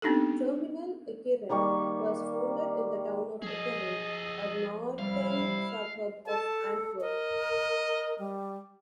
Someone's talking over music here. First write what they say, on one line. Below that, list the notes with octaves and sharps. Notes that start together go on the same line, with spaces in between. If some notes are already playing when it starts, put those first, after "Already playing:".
Germinal Ekeren was founded in the town of Ekeren, a northern suburb of Antwerp.
B3 C4 D4 D#4 G4 A4
D#3 G3 A#3 C#6
F3 G#4 A4 D#5
C3 G3 E4 F5
A4 A5
A#4 D#5
G3